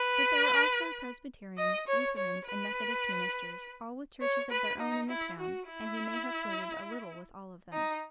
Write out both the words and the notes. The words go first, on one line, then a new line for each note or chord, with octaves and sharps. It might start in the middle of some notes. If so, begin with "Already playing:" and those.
But there were also Presbyterians, Lutherans, and Methodist ministers, all with churches of their own in the town, and he may have flirted a little with all of them.
Already playing: B4
D#5
C#5
C#5
B4
C#5
B4
D#4
E4
F#4
E4
D#4